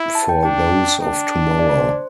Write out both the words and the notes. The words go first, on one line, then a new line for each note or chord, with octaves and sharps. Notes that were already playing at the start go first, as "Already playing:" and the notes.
For those of tomorrow.
Already playing: E4
A5
G5
D4 G5
D4
D5
C5